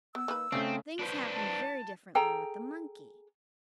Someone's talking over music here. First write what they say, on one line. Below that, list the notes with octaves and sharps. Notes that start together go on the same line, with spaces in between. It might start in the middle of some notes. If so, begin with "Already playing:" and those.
Things happened very differently with the monkey.
B3 E6
A#3 D#4 B4
C#3 A3 C4 D4
D4 B4 C5
A5
G#4 A4 G5 A#5